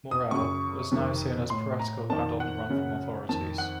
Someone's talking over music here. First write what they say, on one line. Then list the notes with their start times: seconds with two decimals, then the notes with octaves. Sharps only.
Morrell, was now seen as piratical and on the run from authorities.
0.11 D#6
0.31 F#2 C#3 C#6
0.91 F2 C3 D#3
1.50 A2 C6
1.80 A#5
2.10 F2 D#3 A5
2.40 F#5
2.69 F#2 C#3
3.29 F2 D#3 A5
3.58 F#5